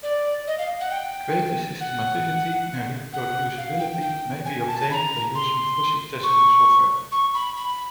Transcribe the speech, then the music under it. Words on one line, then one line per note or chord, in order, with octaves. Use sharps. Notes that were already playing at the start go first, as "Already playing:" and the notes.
Greater systematicity and reproducibility may be obtained by using fuzz testing software.
D5
D#5
F5
F#5
G5
F#5
F#5
F5
G5
G5
G#5
A5
A5
B5
A#5
C6
C#6
C#6
B5
B5